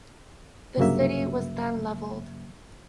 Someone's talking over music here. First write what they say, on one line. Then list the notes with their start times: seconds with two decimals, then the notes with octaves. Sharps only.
The city was then leveled.
0.77 C2 G2 C#3 F#3 A#3 E5